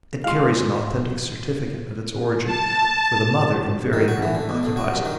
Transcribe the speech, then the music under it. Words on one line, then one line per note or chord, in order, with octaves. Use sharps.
It carries an authentic certificate of its origin, for the mother invariably occupies it.
G#3 F4 F5 C6
A5
D#3
F#4
E3
D3
B2
D3
F#4
G2
D#3